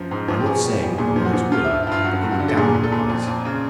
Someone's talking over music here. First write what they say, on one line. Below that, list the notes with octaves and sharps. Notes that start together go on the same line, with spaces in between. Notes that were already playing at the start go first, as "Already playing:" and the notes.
I am not saying what the lies were, but they were damnable lies.
Already playing: F#2 F3
G#2
F3
G4
B2 G#4
G3
G3
A#2 G#4
F3
F#4
F3
F3 F4
E4
G2
E4
G2 F4
F#2 F#4
F#2
F#4
D3
A4
A#2 G#4
A#2
A4
A#2
F2
F2
C#3